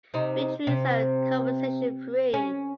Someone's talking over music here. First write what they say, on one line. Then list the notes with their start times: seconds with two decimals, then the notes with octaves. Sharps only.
Retreats are conversation free.
0.14 C3 D#4
0.67 C3
2.34 C#4